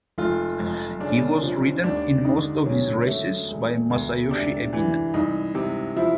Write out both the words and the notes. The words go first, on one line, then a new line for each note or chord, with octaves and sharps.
He was ridden in most of his races by Masayoshi Ebina.
F1 F4
F2
C#3 D4
F3
D#2 D4
D3 D#4
F#3 C#4
A3
E1
D2
C3 D4
E3
C2 D#4
C3
F3 E4